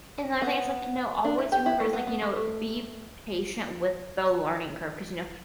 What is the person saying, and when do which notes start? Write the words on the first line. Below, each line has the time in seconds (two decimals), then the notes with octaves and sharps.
And the other thing is, like, you know, always remember is, like, you know, be patient with the learning curve. 'Cause you know,
0.42 B3
1.24 D4
1.38 E4
1.52 G4
1.66 E4
1.80 A3
1.93 B3
2.07 B3
2.22 A3
2.36 A3